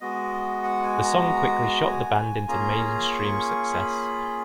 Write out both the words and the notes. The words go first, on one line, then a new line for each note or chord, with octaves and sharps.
The song quickly shot the band into mainstream success.
G#3 B3 F#4 D#5
F#5
G#5
A#5
G#5
A#3 C#4 F4 G#4 A#5
C#6
B5